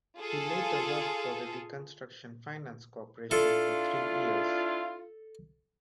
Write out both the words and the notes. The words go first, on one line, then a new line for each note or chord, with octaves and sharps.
He later worked for the Reconstruction Finance Corporation for three years.
F4 G#4 A4
D4 E4 F4 A4